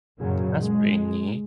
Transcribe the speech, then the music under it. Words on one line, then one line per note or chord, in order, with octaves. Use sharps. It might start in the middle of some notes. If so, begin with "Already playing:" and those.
That's pretty neat
F#2 A#2 C#3 F#3
G#3